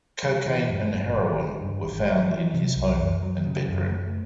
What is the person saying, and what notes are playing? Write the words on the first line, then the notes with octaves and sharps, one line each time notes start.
Cocaine and heroin were found in his home and bedroom.
G3
E3
G2
G1
G#1
D3
G2
G#1
G3
E3
C3
C2
F#2
F#3
C#3
F#2
A3